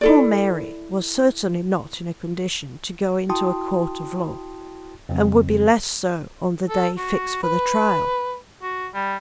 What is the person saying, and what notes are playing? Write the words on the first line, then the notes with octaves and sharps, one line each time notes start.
Poor Mary was certainly not in a condition to go into a court of law, and would be less so on the day fixed for the trial.
E4 A4 D5
E4 F#4 G5 A5 C6 D#6
F2 C#3 F#3 C4
A4
F#4
B4
F#4
G3